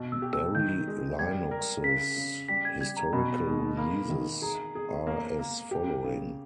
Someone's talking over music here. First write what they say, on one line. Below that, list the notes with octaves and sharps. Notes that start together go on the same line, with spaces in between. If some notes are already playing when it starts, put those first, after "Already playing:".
Berry Linux's historical releases are as following.
Already playing: B2
E6
G4
E6
D#3 G6
G#3
G3 G#6
A#4
C#3 B6
C#3
G3 B6
G#6
G3 G#6
A#5
B2 B5
G#3
A#3 B5
D#3
G#4 A#5
G#4
A#3
A#3
G4
C#3